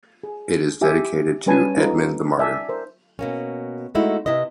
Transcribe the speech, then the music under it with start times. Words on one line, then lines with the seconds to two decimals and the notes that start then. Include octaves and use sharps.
It is dedicated to Edmund the Martyr.
0.23 G#4
0.81 E4 G4 E5 G#5
1.46 G3 C#4 B4 G#5 A5
1.77 D#4 F4 A4 B4
2.39 D5 E5 G#5 A5
2.69 A#4 C5
3.19 B2 A#3 C#4
3.95 G#3 A3 D#4 E4 F#4
4.26 C3 E4 B4 D#5